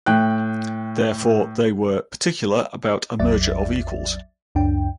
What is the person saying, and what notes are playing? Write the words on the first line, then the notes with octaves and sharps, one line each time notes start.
Therefore, they were particular about "a merger of equals".
A2 G5 F#6
A1 E2 F#3 D5 E5 A6
C#2 F#2 D4 G5